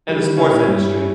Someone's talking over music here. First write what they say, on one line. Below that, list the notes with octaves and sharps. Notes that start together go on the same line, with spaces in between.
in the sports industry.
E3 G3
D#3
C#3 C#4 E4
A#2
G2 G3
C#4